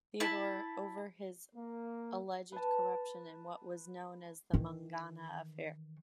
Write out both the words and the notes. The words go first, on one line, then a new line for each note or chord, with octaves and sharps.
Theodore over his alleged corruption in what was known as the Mungana affair.
E4 A5
A#3
B4 A5
D#3 E3